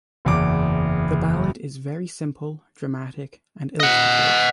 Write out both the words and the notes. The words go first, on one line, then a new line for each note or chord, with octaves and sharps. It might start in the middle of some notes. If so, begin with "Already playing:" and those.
The ballad is very simple, dramatic and illustrative.
F#1 E2 D6
D#5 F#5